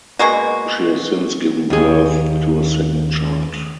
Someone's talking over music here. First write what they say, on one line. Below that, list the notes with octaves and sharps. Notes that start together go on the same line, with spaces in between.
She has since given birth to a second child.
B2 G#3 A#3 F#4
D#2 G#4